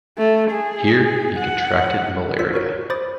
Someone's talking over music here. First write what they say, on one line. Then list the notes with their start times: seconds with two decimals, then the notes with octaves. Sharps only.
Here he contracted malaria.
0.18 A3
0.50 G#4
1.38 F#5
2.39 F4 C5 D5 E6 B6
2.54 F#4 A#4 C#5
2.90 C5 B5 D6 D#6 A6